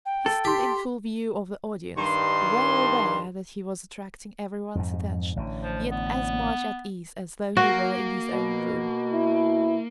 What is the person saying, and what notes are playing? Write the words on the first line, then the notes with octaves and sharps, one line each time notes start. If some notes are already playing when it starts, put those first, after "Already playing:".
He stood in full view of the audience, well aware that he was attracting everyone's attention, yet as much at ease as though he were in his own room.
G5
A4
G4 C6 B6
G2 D#3 C6
F2 G#2
A1 D3
F3
B3
A#3 F#4
B2
E4